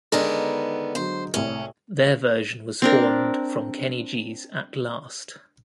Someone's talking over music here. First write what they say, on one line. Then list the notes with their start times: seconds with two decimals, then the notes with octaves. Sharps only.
Their version was spawned from Kenny G's At Last...
0.12 D3 D#3 G#3 B3 D4 A#4
0.95 D3 F#3 C5
1.34 C2 A2 C#4
2.82 C4 D4 A#4